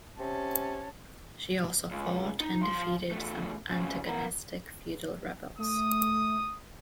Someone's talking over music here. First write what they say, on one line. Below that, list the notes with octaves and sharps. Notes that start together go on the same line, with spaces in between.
She also fought and defeated some antagonistic feudal rebels.
C3 C#4 C#5 A5
C#2
D#4
F3 C6
E2 A3
F2 C#3
B3 A#4
A3 D#6